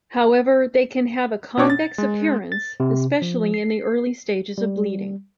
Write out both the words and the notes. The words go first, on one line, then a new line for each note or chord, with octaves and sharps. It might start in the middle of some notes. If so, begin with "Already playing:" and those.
However, they can have a convex appearance, especially in the early stage of bleeding.
B2 D4 C#5 D6
A6
G#3
A6
C3
F3
C7
G3